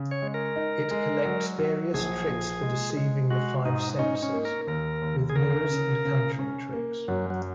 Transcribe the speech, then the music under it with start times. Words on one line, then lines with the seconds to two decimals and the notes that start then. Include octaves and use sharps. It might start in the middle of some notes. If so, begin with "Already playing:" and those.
It collects various tricks for deceiving the five senses, with mirrors and conjuring tricks.
Already playing: C#3
0.11 C#5
0.22 G#3
0.34 A#4
0.56 D#4
0.91 G#3
1.25 F#3
1.59 F#3
1.94 A#1 G#4
2.28 A#2
2.63 G#3
2.97 G#3
3.31 G#3 F#4
3.66 G#2 D#4
3.99 C#4 D#4
4.23 C#4
4.33 A#3
4.45 A#4
4.67 D#2 A#4
5.02 D#2
5.30 G#4
5.36 C#3 A#4
5.71 C#3
6.05 C#3
6.39 C#4
6.73 A#3
7.08 F#2 F#3
7.30 F#3